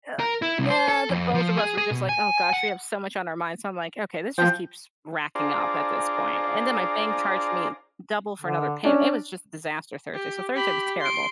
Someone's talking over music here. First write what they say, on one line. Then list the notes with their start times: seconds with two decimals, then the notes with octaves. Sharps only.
yeah nah, the both of us were just like, "Oh gosh, we have so much on our mind." So I'm like, "Okay, this just keeps racking up at this point." And then my bank charged me double for another payme It was just disaster Thursday. So Thursday was terrible.
0.19 A#4
0.42 E4
0.59 C2
0.70 C5
0.88 A4
1.10 F2
1.34 F3
1.57 G#4
1.78 G#4
1.91 B2
2.09 G#5
2.54 F#5
4.38 F3 G5
5.35 D4 F4 G#4 C5 D5 A#5
8.41 D3
8.85 C#4 D4
10.14 G4
10.55 G4 B5
11.01 C6 D7